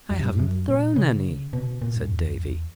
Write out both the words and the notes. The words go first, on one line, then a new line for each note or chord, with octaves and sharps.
"I haven't thrown any," said Davy.
F#2
G2
F#2
F#2
A#2
C#3
B2
A#2
G2
E2
F#2
E2